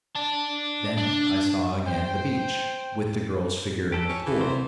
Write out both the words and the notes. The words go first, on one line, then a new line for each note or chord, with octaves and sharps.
Then I saw again the beach, with the girl's figure in the pool.
D5 A5
D4
C5 G5
G4 A4
C#4
E3
C3 C5